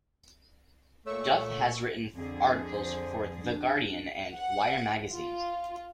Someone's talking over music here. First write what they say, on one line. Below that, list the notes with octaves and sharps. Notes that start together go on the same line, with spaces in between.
Duff has written articles for "The Guardian" and "Wire Magazine".
A#2 A3 C#5 C#6 E6
F2 D3 C4 G#4
C5
D4
F#5
F4